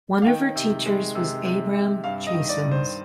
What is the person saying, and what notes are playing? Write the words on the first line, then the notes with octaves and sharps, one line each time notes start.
One of her teachers was Abram Chasins.
F5
D#3 G5
C3
G#3
C3
C3
C3
G2 F5
D#5
D#3
D5
G2
C5